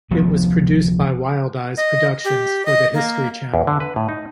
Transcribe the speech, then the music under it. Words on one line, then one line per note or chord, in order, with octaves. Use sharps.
It was produced by Wild Eyes Productions for The History Channel.
F1 D2 F3 B3
D#5
G4
D#5
A#3
E2
D3
B4
A2
D#4